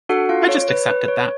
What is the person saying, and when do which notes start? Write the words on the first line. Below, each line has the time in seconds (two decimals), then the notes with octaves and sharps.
I just accepted that.
0.09 D4 F#4 A4 F#5
0.29 F4 F5
0.49 C#5
0.61 C#5
0.69 B4
0.88 B4
1.08 C#5